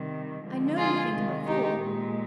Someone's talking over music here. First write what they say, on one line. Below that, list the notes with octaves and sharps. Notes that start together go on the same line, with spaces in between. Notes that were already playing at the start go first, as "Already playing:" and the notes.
"I know you think him a fool."
Already playing: C3 D#3 G3
D3 F3 G#3
F4 G#4
C3 D#3 G#3
D#4 G4
A#2 G#3